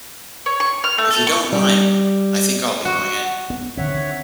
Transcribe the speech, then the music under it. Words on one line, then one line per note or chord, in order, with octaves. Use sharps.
If you don't mind, I think I'll be going in.
C#5
C#6
F6
A3
A4
C#6
G3
F#4
B3
D3 D#3 C4 C#5 E5 F#5